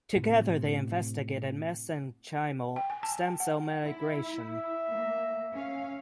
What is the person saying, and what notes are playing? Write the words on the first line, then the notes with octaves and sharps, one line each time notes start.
Together they investigated mesenchymal stem cell migration.
A2 C3
G5
G#5
A5
F#5
E4
E5
A#3
C#4 F5